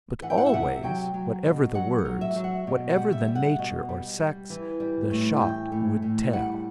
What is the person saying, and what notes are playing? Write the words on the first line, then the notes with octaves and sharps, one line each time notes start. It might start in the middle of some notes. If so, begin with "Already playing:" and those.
But always, whatever the words, whatever the nature or sex, the shot would tell.
E3 F#5
G5
F#5
E5
C3 F#5
F#3 G5
F#3
B2
F#3 F#5
F#5
F#3
E5
F#3
F#5
B2
F#5
G3
E5
G3
F#5
B2
G3
G3
E3
G3
A2
E3 G5
A2
A2
G3 F#5